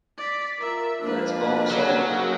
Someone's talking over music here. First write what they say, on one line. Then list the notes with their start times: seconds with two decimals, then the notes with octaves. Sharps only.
Let’s hope so.
0.18 D5 B6
0.61 F4 A#4 E5
1.02 F2 A#3 D4 B4
1.71 D3 F#3
2.06 C#3 D#4 A#4